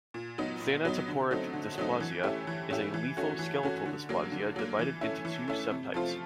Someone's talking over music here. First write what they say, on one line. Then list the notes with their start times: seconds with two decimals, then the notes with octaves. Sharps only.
Thanatophoric dysplasia is a lethal skeletal dysplasia divided into two subtypes.
0.14 A#2
0.38 F#3 B3 D#4
0.62 A#2
0.85 F#3 B3 D#4
1.08 D3
1.31 F#3 A3 C4 D#4
1.53 D3
1.78 F#3 A3 C4 D#4
2.00 E3
2.23 A3 C#4 E4 G4
2.47 E3
2.70 A3 C#4 E4 G4
2.94 E3
3.17 A3 C#4 F#4
3.39 E3
3.63 A3 C#4 F#4
3.86 D3
4.09 F#3 A#3
4.32 D3
4.56 F#3 A#3
4.79 E3
5.01 A3 C#4 E4
5.25 E3
5.48 A3 C#4 E4
5.71 C3
5.94 F3 A3 C4 F4